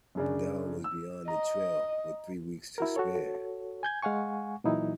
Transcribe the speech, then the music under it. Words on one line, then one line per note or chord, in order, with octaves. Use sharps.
And MacDougall was beyond the trail, with three weeks to spare.
F#2 C#3 D4
E6
D#5 A#5
E4 F#4 A#4
F#4 A4 C#5
G#5 G6 G#6
G#3 F5 F#5 G#5 C#6
A#2 E3 F#3 D#4 E4